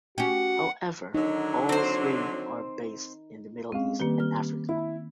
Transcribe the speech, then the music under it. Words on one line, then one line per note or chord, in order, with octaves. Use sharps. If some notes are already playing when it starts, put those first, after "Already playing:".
However, all three are based in the Middle East and Africa.
C#4 F#4 G4 F#5
D3 F#3 D#4
C4 C5
G#3 C4 C#4 F5
D#3 G3 A#3 B4 G7
F6
E4 B5